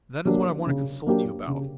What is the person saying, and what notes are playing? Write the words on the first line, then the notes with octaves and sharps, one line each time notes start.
That is what I want to consult you about.
F#3 A#3 D4 G4
C#3
F#3 A#3 D4 G4
C#3